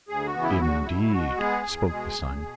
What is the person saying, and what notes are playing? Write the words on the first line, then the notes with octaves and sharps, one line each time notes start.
'Indeed!' spoke the Sun.
D2 G#4
F#4
C#3 E3 B3
E4
E2 F#4
B2 F#3 E4
B2 F#4
G#3 B3 G#4
E2
B2 G#3
E2
B2